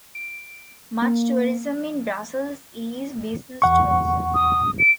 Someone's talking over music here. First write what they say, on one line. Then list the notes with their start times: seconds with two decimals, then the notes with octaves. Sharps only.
Much tourism in Brussels is business tourism.
0.15 D7
1.02 A#3
3.62 E2 F#5 C#6
4.34 D#6
4.79 D7